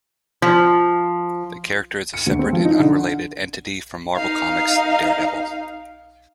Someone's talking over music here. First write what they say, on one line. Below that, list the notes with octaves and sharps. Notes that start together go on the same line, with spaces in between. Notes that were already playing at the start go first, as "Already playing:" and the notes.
The character is a separate and unrelated entity from Marvel Comics' Daredevil.
F3
C#7
D2
C4
F3
D#4
D3
D#4 F5